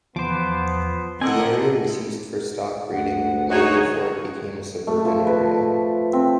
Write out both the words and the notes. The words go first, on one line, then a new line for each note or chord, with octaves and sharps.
The area was used for stock breeding long before it became a suburban area.
E2 F3 B3 C5 D6
C4 A4 A#4 D5 D#5 F#5 G#5
D2 F#5
D#4 F#4 G#4 C#5
A3
F3
B4
C4